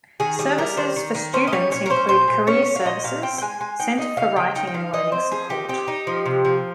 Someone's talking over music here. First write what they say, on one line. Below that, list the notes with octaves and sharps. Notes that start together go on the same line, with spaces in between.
Services for students include Career Services, Center for Writing and Learning Support.
D#3 G#4
G3 G#4
G3 A#4
D#3 C5
D#3
D#3
C#4 C5
D#5
G3 C#5
A#2 C#5
A#4
C#4 C5
A#2 C5
A#2
C#4 C#5
C#4
F5
A#2 D#5
A#2 F5
C4 G5
G5
G#3 G#5
G#3 G#5
D#4 G5
D#4 D#5
C#3 F5
C#3 G5
D#4 G5
G5
F3 F5
D#4 D#5
C4 C5
F3 G#4
D#4 G4
C4 G4
D#4
F3
C3
F3